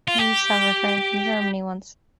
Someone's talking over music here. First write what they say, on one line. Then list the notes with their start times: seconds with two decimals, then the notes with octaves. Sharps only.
I used to have a friend from Germany once.
0.08 F4
0.18 G4